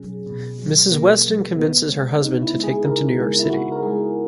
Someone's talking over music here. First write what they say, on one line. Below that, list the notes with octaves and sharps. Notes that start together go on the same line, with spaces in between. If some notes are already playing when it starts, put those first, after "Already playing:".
Mrs. Weston convinces her husband to take them to New York City.
Already playing: B2 F#3 C#4 G#4
B2
F#3
B2 A#3
F#3
C#3 B3
G#3 C#4
C#3 D#4
E4
G#3
G#4
C#3 A#4
G#3
E4
C#3 F#4
A#4
G#3 G#4